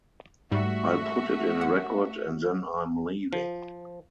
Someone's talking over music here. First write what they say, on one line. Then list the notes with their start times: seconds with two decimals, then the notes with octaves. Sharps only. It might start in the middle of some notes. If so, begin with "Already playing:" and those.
I'll put it in Record, and then I'm "leaving".
0.52 G#2 G3 A3 F#4 E5
1.61 F#5
3.33 F3